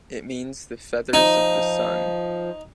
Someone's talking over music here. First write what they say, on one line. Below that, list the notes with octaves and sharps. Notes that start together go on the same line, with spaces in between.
It means the feathers of the sun.
F3 D#4